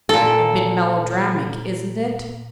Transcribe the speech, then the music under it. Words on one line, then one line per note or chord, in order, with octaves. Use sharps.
A bit melodramatic, isn't it?
A#2 A4